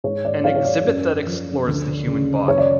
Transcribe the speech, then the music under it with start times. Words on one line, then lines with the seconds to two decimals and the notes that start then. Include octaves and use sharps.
An exhibit that explores the human body.
0.04 G#2 C#5
0.25 D5
0.44 F#3 C#5 F5
0.56 C#5
0.65 D5
0.85 F#2
1.26 F3
1.67 D2
2.07 C#3
2.48 F#2 C#5
2.58 D5